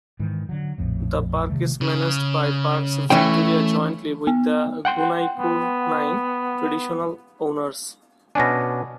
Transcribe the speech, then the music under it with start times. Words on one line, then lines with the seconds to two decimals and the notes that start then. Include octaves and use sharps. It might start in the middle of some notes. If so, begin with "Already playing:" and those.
The park is managed by Parks Victoria jointly with the Gunaikurnai Traditional Owners'.
0.19 G#2 D#3 E3
0.49 D3 F#3
0.78 A#1 F2 A2
1.49 C3 D#3 G3 A3
1.81 C#3
3.10 E3 A3 C#4 G5
4.27 B3
4.85 F#5 G5 C6
5.38 B3
8.35 B2 C#4 D4 G#5 A#6